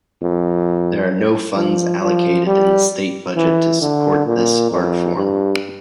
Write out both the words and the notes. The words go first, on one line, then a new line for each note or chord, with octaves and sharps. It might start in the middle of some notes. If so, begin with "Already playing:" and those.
There are no funds allocated in the state budget to support this art form.
F2
F3
F3
G3
E3
D3
A#2
F2
G2